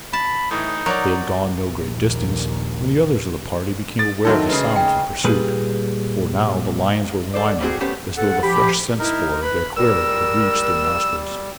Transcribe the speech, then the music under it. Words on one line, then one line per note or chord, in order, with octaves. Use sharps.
They had gone no great distance when the others of the party became aware of the sounds of pursuit, for now the lions were whining as though the fresh scent spoor of their quarry had reached their nostrils.
A5 B5
A2 E3 D#4
F#3 A#4 C#5 D5
A#1 D#2
A4 A6
D#3 F#3 D#4 F#4 A4 E5
C#3 G#3 B4
G5
A#2 G3 G#4 B4
A4 C5 D5
G3 A3 C4 F#4 G#4
A3 B3 C#4 G4 C5
G2 A4 F#5
F3 G4 B5
D#4 E4 A#4
B4 B5
G3 A#4 E6